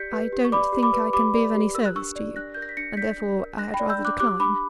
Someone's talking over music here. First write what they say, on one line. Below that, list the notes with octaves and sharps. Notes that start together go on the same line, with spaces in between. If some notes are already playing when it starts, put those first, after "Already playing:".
"I don't think I can be of any service to you, and therefore I had rather decline."
Already playing: G4 D5 G6 B6 C#7
B4
G4
C#6
D5 B5 D6
G4
B5 D6
B4
G4 B5 D6
D5
G4
A#4 E6
F#6
D4 C#6 E6
D5
D4 F#6 A#6
A#4 G6
A#6
B6
D4 A#6 C#7
D5 G6 B6
D4
A#4
D4 F#6 A#6
G5 B5
D5
E6 G6
D4
D6 F#6
G4 D6 F#6
D4 B5 D6